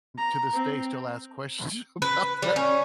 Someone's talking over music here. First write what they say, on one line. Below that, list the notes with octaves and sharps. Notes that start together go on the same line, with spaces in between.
to this day, still ask questions about that
A#5
C4
B4
G3
C#4